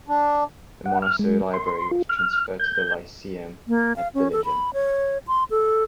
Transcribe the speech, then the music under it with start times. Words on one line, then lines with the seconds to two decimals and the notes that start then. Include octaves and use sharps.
The monastery library was transferred to the "Lyceum" at Dillingen.
0.09 D4
0.86 F#5
1.02 F6
1.19 G#3
1.53 C6
1.91 F4
2.09 F6
2.59 G6
3.68 A#3
3.96 F5
4.14 C#4
4.32 A4
4.45 B5
4.74 C#5
5.28 C6
5.50 A4